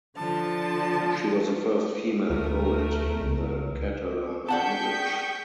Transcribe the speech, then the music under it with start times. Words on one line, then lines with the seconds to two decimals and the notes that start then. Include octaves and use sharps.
She was the first female poet in the Catalan language.
0.16 D3 F3 A5
2.30 D2 A3 A#4
3.20 C#2
4.49 G#4 D5 F#5 G5 A5 C#6 G6 B6